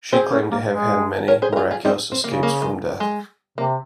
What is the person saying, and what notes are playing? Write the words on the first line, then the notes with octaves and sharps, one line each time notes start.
She claimed to have had many miraculous escapes from death.
C4 G#4 C5
C#4
A#3
G#3
A#4 C#5
G#4 C5
A#4
F4 G#4
F4 G#4
G3 C4 D#4
C4
C#3 A#3
A#3
G#3
G#3
C3 A#3